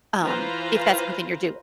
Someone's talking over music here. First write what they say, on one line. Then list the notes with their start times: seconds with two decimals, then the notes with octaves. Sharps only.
Um, if that's something you're doing.
0.22 E3 F4 B4 C5 F5 A#5